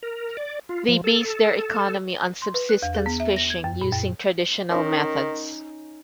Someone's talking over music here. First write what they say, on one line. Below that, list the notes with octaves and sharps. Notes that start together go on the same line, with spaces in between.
They base their economy on subsistence fishing using traditional methods.
A#4
D5
F4
F3
A4
C6
B4
F#6
E2
G#4
B3
E5
A#6
G#6
F#2
A#2
F#2
D#3 C#4 D#4